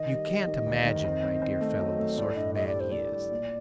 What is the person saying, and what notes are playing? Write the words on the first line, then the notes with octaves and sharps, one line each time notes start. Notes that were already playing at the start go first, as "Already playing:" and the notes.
You can't imagine, my dear fellow, the sort of man he is.
Already playing: D#3 D#5
G3
G3
D#3
D2
D#3
C4
C4
C4
A3
F#3
A3
A2 D5
D4 D#5
G3 D#5
D5
G3
C5
A2 D5
G3
A#2